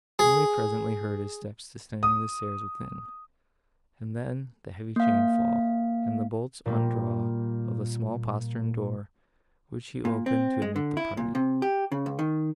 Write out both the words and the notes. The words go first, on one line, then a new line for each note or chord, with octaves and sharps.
Emily presently heard his steps descending the stairs within, and then the heavy chain fall, and the bolts undraw of a small postern door, which he opened to admit the party.
G#4
D#6
A#3 F5
A#2 G3 A#3
A#2
C4
G#3
D3
E4
A#2
C3
G4
C#3
C#2
D#3